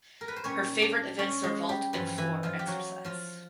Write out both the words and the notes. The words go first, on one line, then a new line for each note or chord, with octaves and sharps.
Her favorite events are vault and floor exercise.
A#4
B4
C5
A#2 G3 C#4 C#5
D4 D5
C#4 C#5
G#3 G#4
G3 G4
G2 E3 F3 G3 F4
E3 E4
F3 F4
G4
F#3 F#4
F3 F4